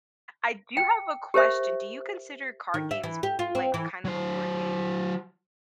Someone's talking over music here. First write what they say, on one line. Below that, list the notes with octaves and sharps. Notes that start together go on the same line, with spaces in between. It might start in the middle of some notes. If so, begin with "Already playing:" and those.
I do have a question, do you consider card games, like, kind of a board game?
G5
G4 A#4 C5 E5
D#3
E5
E3
G4
F4
C4
E3
F#3 C5